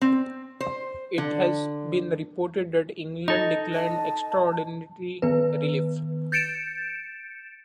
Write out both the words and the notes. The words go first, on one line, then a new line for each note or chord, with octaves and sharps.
It has been reported that England declined extraordinary relief.
C4
C5
D3
D#4 A4 D#5
A5
D#3 B3 B4
G6 A6 C#7 D7 E7